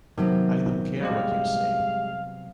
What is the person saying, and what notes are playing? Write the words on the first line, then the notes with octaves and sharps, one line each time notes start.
I don't care what you say.
C3 D#3 F#3 B3
G3 G#3 G4 F5